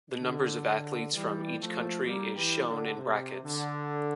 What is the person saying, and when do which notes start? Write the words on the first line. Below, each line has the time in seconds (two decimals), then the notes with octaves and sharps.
The numbers of athletes from each country is shown in brackets.
0.20 D3
0.66 D3
1.12 E3 G3
1.59 F3 A3
2.05 G3 A#3
2.35 E3 G3
2.67 D3
2.97 C3
3.43 D3